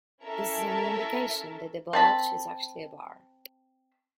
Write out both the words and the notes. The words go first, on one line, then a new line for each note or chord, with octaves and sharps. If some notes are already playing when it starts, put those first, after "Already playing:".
This is an indication that the bulge is actually a bar.
C#4 E4 A4 A#4 E5 A5
C4 A5 B5